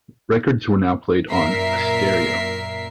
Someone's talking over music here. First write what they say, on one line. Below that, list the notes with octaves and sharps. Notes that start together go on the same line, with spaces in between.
Records were now played on "a stereo".
F#2 A#2 A#4 E5 B6 C7